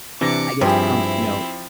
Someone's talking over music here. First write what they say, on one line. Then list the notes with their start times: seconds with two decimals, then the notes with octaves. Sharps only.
I guess Trump, you know,
0.21 C3 E3 D4 D6 A#6 C#7
0.61 G2 C3 F3 C4 E4 G4 G#4